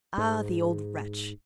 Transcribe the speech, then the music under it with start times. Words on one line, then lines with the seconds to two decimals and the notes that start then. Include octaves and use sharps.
Ah, the old wretch!
0.18 G#2